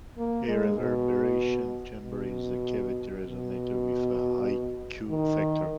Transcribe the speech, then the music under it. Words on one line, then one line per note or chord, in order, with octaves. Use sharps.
A reverberation chamber is a cavity resonator with a high Q factor.
A#3
G#3
B2
B2
B2
D#3